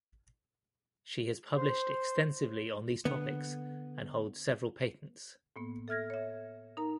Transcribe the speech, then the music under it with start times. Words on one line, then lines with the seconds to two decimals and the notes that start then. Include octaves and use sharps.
She has published extensively on these topics and holds several patents.
1.56 C5
3.05 D3 B3
5.56 A2 A#3 B3
5.88 A4 E5 F6 G#6 A#6
6.10 C#5 E5
6.77 D#4 A#4 A#5